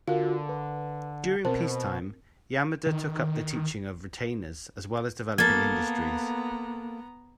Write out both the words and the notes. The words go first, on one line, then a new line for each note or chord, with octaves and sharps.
During peacetime, Yamada took up the teaching of retainers as well as developing industries.
D3 F4 F#4 A#4 F5
B4
B2 C4 A#4 C5 A5
D#3
A#3 B3 A4 A#5 G#6 A6